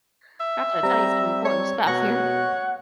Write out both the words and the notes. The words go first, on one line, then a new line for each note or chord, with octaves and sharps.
I got to tell you some important stuff here.
E5
G3 C4 A#5
C#5
B2 C#5 F#5 C#6 F#6 A#6